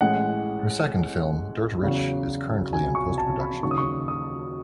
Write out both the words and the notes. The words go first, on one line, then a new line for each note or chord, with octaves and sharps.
Her second film "Dirt Rich" is currently in post-production.
A1 A2 G#3 F#5
E2 C#3 F#3
G#5
C#6
A5
B5
D#2 C#3 F#3 C#6
D#6
C#6
D#6